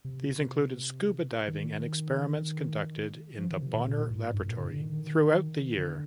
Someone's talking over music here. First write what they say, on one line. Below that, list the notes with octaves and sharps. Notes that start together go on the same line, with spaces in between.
These included scuba diving and experiments conducted in the Bonner Laboratory throughout the year.
C3
D#3
F3
D#3
C3
A#2
A#2
G#2
G2
A#2
D3
D3
D#3
D3